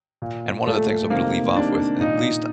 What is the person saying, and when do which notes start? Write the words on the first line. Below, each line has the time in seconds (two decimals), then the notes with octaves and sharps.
And one of the things I'm gonna leave off with, at least
0.22 A#2
0.66 A#2 A3
1.10 C3 D#3 A#3
1.56 C3 D#3 D4
2.01 A#2 D#4